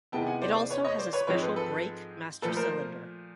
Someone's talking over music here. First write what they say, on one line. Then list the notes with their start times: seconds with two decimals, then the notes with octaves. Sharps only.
It also has a special brake master cylinder.
0.12 C3 D#3 G#3 B3 E4 G5 A5
0.27 F#5 G#5
0.42 C5 D5
0.55 C5 D5
0.70 B4 C#5
0.84 C#5 D#5
0.98 C5 D5
1.13 B4 C#5
1.27 G#2 F3 G#3 C4 B4 C#5
1.42 A4 B4
1.56 A4 B4
2.42 A#2 F3 A3 A4 B4
2.57 A#4 C5